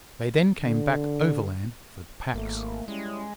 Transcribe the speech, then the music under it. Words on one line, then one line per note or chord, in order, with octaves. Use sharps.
They then came back overland for the packs.
D3
G#1 A3 A#3
G3 G#3 C#4 E4